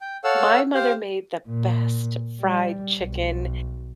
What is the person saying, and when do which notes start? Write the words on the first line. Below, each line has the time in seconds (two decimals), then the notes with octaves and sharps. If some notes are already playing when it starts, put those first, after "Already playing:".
my mother made the best fried chicken
0.01 G5
0.24 A4 C#5 F5 F#5 E6
0.74 G4 C5 F5
1.48 A#2
2.41 G3
3.01 B1